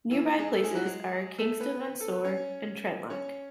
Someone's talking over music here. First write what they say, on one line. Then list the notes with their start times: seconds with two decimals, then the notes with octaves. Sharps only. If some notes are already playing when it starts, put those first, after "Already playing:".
Nearby places are Kingston on Soar and Trentlock.
0.11 E3 E4
0.39 G#3 G#4
0.53 A3 A4
0.64 G#3 G#4
0.70 E4
0.75 F#3 F#4
0.85 G#3 G#4
1.38 A3 A4
1.60 B3 B4
2.00 A4
2.12 B4
2.25 C#4 C#5
3.10 C#4 C#5